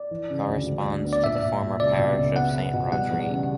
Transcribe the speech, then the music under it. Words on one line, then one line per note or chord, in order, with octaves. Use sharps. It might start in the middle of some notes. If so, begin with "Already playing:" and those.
Corresponds to the former parish of Saint-Rodrigue.
Already playing: D5
E3
C#3
D2
D2
D2
B3
D5
A#2 E5
A#2
A#2
C#2 D5
B2
C#2
B3 F#5
B3
B2
G3 F#5
E2
D5
C#3